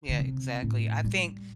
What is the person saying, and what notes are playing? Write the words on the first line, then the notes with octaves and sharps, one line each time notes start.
Yeah, exactly. I think
D3
C3
A2
G3